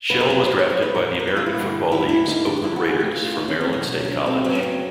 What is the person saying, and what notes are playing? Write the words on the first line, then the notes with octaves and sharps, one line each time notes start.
Shell was drafted by the American Football League's Oakland Raiders from Maryland State College.
F2 C#3 F#3 B4
A#4
B4
C5
C#5
C5
A#2 G3 B3 B4
A#4
A#4
B4
F4
E4
G2 D3 G3 A#3
E4
E4
F2 D3 G3 D#4
D4
E4
F#4
G#4
F#2 C#3 E3 A3 G4
F4
F4
D#4
C#4
C4
E2 B2 F#3 A#3 C#4
C#4
D4
C4
F#2 C#3 F#3 B3 C4
C#4
C4